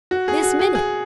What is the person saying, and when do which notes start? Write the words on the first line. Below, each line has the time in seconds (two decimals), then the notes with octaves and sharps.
This minute!
0.11 F#4
0.28 G#4
0.43 F#4
0.59 G#4
0.75 G#4